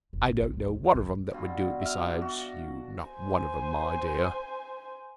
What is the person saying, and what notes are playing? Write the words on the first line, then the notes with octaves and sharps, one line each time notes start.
I don't know one of 'em that would do it besides you; not one of 'em, my dear.'
F1
G#1
D#3
D#2
D#2
D#3
G2 B2 F4
E5 F6
D4
F#4
C5 G#5